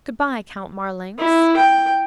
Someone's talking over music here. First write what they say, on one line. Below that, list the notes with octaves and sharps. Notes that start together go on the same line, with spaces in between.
"Good-bye, Count Marlanx."
E4
G5